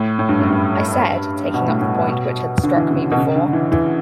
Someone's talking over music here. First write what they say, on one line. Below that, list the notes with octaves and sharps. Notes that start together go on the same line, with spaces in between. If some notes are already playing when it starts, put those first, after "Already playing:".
I said, taking up the point which had struck me before.
Already playing: A2
A2
G2
F#2
G2
B2
A2
A2
B2
B2
D3
E3
C#3
B2
C#3
D3
E3
E3